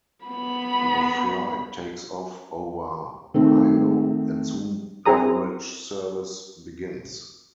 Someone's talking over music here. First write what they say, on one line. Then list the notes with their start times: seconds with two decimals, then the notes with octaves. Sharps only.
The flight takes off over Hilo, and soon beverage service begins.
0.25 B3 B5
3.34 D#3 A3 C4
5.06 C4 E4 G#4 A#5 D#6